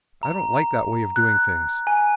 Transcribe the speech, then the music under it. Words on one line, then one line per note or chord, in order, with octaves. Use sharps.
I don't like that way of doing things.
A#5
F#6
G#5